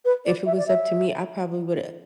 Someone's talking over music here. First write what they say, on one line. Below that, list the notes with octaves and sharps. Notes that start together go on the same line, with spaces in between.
if it was up to me, I probably woulda
B4
D5
E5
D5
E5